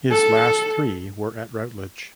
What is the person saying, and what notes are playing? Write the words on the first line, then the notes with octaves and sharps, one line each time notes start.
His last three were at Routledge.
A4